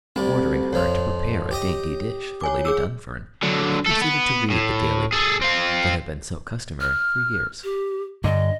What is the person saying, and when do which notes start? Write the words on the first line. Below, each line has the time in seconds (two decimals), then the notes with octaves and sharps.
Ordering her to prepare a dainty dish for Lady Dunfern, he proceeded to read the daily paper, that had been so customary for years.
0.16 D2 G3 C4
0.73 F2 F3 C#5
1.51 G4 D#5
2.41 C#5 G#5 D6
2.65 G#4 D6 E6
3.43 D3 F#3
3.86 A3 A4
4.01 B3
4.50 A2
5.13 G#4 A4
5.41 C4 F4
6.81 F6
7.64 G4
8.24 G2 D3 D#5